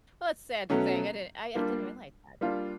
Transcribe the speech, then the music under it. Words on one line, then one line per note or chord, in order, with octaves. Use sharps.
it's sad to think, I didn't I I didn't realize that,
B2 F#3 A3 C#4
G3 A#3 D4 F4
G3 A#3 D4 F4